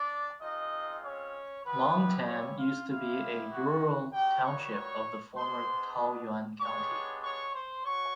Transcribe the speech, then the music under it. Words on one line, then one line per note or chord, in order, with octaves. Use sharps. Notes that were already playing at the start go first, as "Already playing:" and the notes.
Longtan used to be a rural township of the former Taoyuan County.
Already playing: D4 D5
G#3 C4 D#4 F4 D#5
C#4 C#5
B3 C4 E4 G4 B4
C#4 C#5
F4 F5
B3 E4 F4 G4 F5
F#4 F#5
G3 A#3 D#4 F#4 G4 G5
C#5 C#6
C#5 C#6
G#3 B3 D4 C5 C6
G#3 B3 D4 G4 C#5 C#6
C#5 C#6
C5 C6
F#4 C#5 C#6